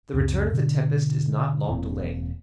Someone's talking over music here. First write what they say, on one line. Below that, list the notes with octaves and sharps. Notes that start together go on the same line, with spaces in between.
The return of the tempest is not long delayed.
C#2 F#2 C#3 C4
G#2 B2 D3
E1 A#3 C4